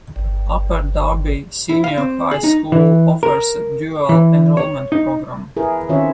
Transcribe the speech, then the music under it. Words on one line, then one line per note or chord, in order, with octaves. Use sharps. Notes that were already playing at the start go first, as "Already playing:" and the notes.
Upper Darby Senior High School offers a dual enrollment program.
G1
E4
F5
C4
G#4
D#4
E3
A#4
E3
C#5
D#4
E4 G#4 A#4 B4
D#3 C4 C#4 F4 C#5 E5